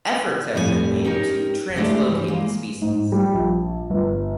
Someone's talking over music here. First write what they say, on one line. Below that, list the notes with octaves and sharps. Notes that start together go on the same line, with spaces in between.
Efforts have been made to translocate the species.
F2 A2 G3 G4 G#5
C#4 D#4 G4 A#4
G#3 A3 D4 E4 G4
E3 G3
G#3 A#3
G#2
G3
A#1
G1